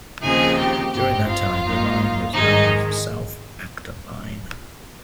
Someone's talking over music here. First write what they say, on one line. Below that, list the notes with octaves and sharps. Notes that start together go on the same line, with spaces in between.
During that time, the line was known as the South Acton Line.
D#2 C#3 F3 C4 D#4 G#4 G#5
G4 G5
G2 G3 C4 D#4 G4 G5
F4 F5
G#2 G3 A#3 D#4
G#2 D#3 G#3 D#4 D#5